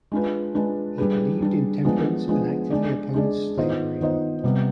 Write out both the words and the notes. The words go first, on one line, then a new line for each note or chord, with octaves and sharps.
He believed in temperance and actively opposed slavery.
G#3 D4 F4 B4
G#3 D4 F4 B4
G3 D4 G#4 B4
G3 D4 G#4 B4
F3 G#3 B3 D4 G#4
F3 G#3 B3 D4 G#4
G#3 D4 G#4 D5
G#3 D4 G#4 D5
D#3 B3 F4 C5 D#5
D#3 B3 F4 C5 D#5
C3 G3 B3